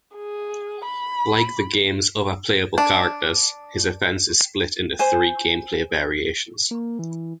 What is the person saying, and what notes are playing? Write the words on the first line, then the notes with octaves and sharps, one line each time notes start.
Like the game's other playable characters, his offense is split into three gameplay variations.
G#4
B5
D4
C5 G#5
A#3
E3